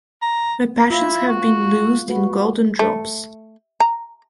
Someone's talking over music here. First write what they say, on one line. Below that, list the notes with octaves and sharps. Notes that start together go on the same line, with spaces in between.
My passions have been loosed in golden drops.
A#5
E4 F4
F#4
G#3 F#4 B4
A3
A#5